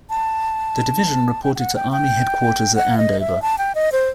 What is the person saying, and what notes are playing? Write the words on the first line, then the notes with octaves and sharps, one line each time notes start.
The division reported to Army Headquarters at Andover.
A5
G5
G5
F#5
G5
G5
F#5
D#5
E5
A5
G5
D#5
C5